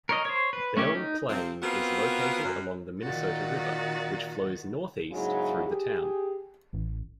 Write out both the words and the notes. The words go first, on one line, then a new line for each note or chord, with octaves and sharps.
Belle Plaine is located along the Minnesota River, which flows northeast through the town.
A#4 C#5 D#5
C5 C#5
B4
A3 C#4 G4
D#4
C3 F3 C4
B3 C4 F4 F#4 A#4
F#2
A#2 D#3 F#4 A6
G#2 C#3 F#3 A#3 E4 G#4
G4 G#4
A1